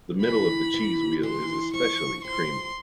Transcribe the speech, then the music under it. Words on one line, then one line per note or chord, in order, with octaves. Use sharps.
The middle of the cheese wheel is especially creamy.
E3 B5
E3
E3 C6
F3 C#6
F3 C6